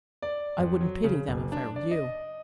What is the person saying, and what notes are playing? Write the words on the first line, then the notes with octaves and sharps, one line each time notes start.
I wouldn't pity them if I were you.
D5
F2
F#3
C#3
F#1
D4
D5
D#5